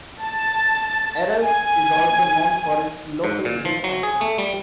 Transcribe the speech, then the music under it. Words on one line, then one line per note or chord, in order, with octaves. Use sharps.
Errol is also known for its local brick factory.
A5
G#5
G#2
A#2
F3
F#3
G#4
A3
G3